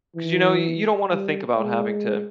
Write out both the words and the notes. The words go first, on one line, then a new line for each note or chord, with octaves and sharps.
'Cause, you know, you you don't wanna think about having to
E3
G3
G#3